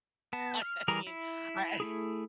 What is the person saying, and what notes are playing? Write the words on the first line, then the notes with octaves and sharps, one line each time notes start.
I mean, I
B3 A5
F6
E3 G3 G#4 A#4 A#5
E4
A3 E4 G#4